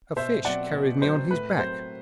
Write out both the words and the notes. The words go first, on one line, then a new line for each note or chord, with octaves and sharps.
'A fish carried me on his back.'
B2 C5 E5
F#3 C4 D5 F#5
B2
F#3 C4 C5
A2 B4
F#3 C4 C5